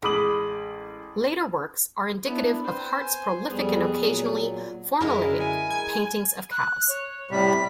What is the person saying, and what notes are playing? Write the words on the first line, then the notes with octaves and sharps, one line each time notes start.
Later works are indicative of Hart's prolific and occasionally formulaic paintings of cows.
A1 G#3 B5 D6 D#6 F#7
B3 D4 E4
C4 B4 C5
G#5
F2 G3 B3 G#4
A#2 F#3
F#2 D3 G#3 E4 A#4
G#5
G#6
F#6
C#5
A2 C3 G3 B6